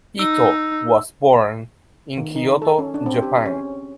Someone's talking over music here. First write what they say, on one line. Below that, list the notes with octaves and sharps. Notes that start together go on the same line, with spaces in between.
Ito was born in Kyoto, Japan.
D#4 E6
D#3
D#4
A4
C#4
D4
C4
G4
C#4